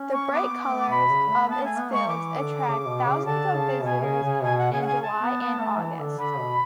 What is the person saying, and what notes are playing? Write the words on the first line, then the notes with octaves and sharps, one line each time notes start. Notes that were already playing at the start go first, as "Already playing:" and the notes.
The bright colours of its fields attract thousands of visitors in July and August.
Already playing: C#4
C#6
B3 D6
B3
A3
B2 B5
C#3
A3
B3 A5
A3 G#5
B3
G#3 C#6
E3 D6
D3
C#3
B2
C#3
D3 A5
C#3
B2 G#5
C#3
C#3
B2 G#5
F#5
C#3 G#5
F#5
G#5
A5
B3
B3
A3
E3
D3
D3 B5
B2